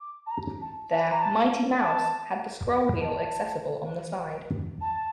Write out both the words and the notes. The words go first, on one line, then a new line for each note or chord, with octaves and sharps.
Their "Mighty Mouse" had the scroll wheel accessible on the side.
D6
A5
A#5
A5
A5
A#5
A5
A5
A5
A5